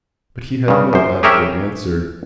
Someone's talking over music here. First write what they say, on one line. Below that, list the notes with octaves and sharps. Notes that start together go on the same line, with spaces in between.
But he had no adequate answer.
G2 C#3
F#2 C5
G4 G#4 A#4 C#5 E5 G5